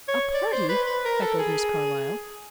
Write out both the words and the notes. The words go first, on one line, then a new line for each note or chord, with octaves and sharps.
"A party!" echoed Miss Carlyle.
C#5
D5
C5
B4
B4
A#4
A4
G#4